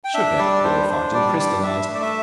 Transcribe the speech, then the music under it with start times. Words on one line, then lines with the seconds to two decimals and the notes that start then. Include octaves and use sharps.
Sugar purified and crystallized.
0.04 G5
0.14 D4 E5
0.38 G3 D5
0.64 D4 C5
0.89 D4 C5
1.14 G3 D5
1.39 D4 D5
1.63 D4 E5
1.89 A3
1.95 D5
2.02 E5